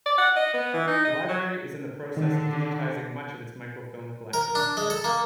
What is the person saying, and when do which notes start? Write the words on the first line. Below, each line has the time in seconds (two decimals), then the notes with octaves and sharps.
The library is in the process of digitizing much of its microfilm collection.
0.06 D5
0.18 F#5
0.36 D#5
0.54 B3
0.74 E3
0.88 D#4
1.05 D#5
1.28 F#3
2.17 D3 D#3
4.33 A#4
4.55 D4
4.77 G#3
4.90 A4
5.04 A#3